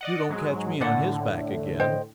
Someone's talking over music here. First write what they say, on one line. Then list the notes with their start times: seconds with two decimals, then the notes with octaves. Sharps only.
You don't catch me on his back again.
0.01 D5 D#5 F#5
0.29 G#2 F#3 G#3
0.81 A2 D3 D4 D5 F#5
1.80 C5 D#5 G5